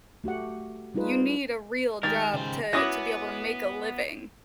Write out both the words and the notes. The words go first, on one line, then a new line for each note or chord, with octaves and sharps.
you need a real job to to be able to make a living.
A3 F#4 G4 F#5
G3 D#4 F4 G#4 B4
D#3 G#3 G4 A#4 A6
C#3 C5
B3 C#4 E4 F#4 D6 D#6 A#6